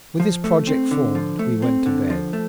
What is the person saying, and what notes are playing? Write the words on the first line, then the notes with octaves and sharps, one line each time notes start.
With this project formed, we went to bed.
F3
A3
C4
D3
F3
A3
C4
D3
F3
A3